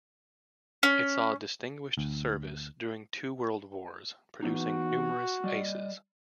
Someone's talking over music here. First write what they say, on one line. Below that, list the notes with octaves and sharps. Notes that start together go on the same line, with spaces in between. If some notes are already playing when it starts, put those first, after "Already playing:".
It saw distinguished service during two world wars, producing numerous "aces".
C#4
D2
E3 B3 D#4 F#4
G3 D5 D#5